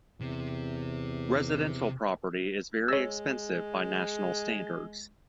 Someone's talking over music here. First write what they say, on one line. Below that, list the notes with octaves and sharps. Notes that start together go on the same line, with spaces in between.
Residential property is very expensive by national standards.
E2 C3
G#3 C#5 E6